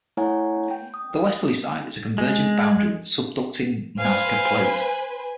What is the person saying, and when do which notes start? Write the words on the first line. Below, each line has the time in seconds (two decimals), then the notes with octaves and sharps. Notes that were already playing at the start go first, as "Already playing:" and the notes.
The westerly side is a convergent boundary with the subducting Nazca Plate.
0.17 A3 E4 C#5 F#5 G#5 A#5
0.71 G5
0.94 D#6
2.18 G#3
3.99 B4 C5 F5 G#5